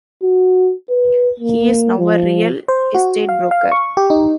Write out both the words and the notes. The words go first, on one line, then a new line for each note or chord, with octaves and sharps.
He is now a real estate broker.
F#4
B4
A#3
F3
C5
F#4
F5
F5
C#6
G4
D#4